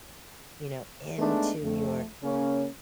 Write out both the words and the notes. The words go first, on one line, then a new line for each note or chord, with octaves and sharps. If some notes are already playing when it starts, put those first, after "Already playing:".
you know, into your
G#3 A3 B3 D4 D#4
F2 A3
C#3 A#3 C#4